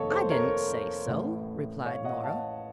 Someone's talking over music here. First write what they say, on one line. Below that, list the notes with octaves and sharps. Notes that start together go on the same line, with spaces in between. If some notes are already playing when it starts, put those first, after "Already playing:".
"I didn't say so," replied Nora.
Already playing: F1 D#2 D#3 A4 C#5 D#5 F5
A4 C5
A#4 C#5
A1 A2
C#5 F5
D#5 F#5
F5 A5